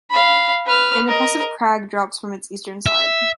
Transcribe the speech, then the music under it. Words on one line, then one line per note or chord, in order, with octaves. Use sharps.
An impressive crag drops from its eastern side.
F5 B5
B4 F6
A#4 D#5
E5